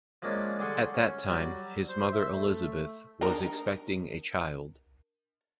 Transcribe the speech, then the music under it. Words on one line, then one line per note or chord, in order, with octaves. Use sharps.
At that time, his mother Elizabeth, was expecting a child.
F3 G#3 A#3 C#4 D4
D3 G3 D4 G#4 C6 C#6
C#4
F#3 G3
C5
E5
A3
D4 D#4 A#4